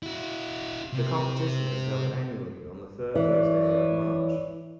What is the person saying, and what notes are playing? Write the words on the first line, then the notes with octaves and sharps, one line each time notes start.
The competition is held annually on the third Thursday of March.
E4 F#4
C3
E3 C#5 D5